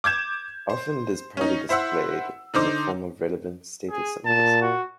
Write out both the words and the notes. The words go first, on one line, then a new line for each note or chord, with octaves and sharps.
Often it is proudly displayed, in the form of relevant status symbols.
D6 G6 G#6 E7
C5
C#4 D#4
E4 C5 E5 F#5 E6
D3 D#4 C5 D6
G#4
A#2 A5
F#4